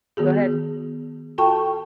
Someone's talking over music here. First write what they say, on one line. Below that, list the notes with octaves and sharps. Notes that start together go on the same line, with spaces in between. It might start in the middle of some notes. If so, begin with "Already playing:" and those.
Go ahead.
D#3 B3 F#4 G#4
F4 F#4 A4 G5 A5 C#6